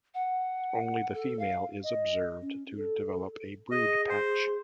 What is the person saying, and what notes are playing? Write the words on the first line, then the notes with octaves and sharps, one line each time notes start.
Only the female is observed to develop a brood patch.
F#5
A4
F5
D#5
C#4
A4
G#4 D#5
C5